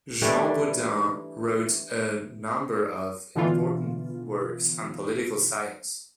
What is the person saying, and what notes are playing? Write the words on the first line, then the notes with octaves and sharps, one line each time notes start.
Jean Bodin wrote a number of important works on political science.
E3 G3 A3 D4
B2 D3 E3 F4